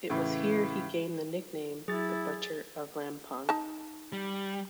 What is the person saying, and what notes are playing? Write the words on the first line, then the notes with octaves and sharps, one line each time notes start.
It was here he gained the nickname "The Butcher of Lampung".
A2 C#3 E3
F#3 E4 G#4 A6
D#4 A5
G3